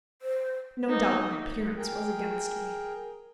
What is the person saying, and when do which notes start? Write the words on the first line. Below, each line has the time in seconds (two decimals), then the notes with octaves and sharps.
No doubt my appearance was against me.
0.22 C5
0.86 A#3 D#4
1.76 G#4 A#4 G5